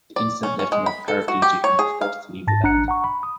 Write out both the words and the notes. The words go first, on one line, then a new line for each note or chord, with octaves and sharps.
The incident left him a paraplegic and he was forced to leave the band.
D5
C#4
C#4
G#3
B5
A4
F#4
G4
C#5
G#4
F5
G#2 A5 A6 A#6
A1 D4 A#5 F#6 C#7
F#5 A#5 C#6
B5
D#6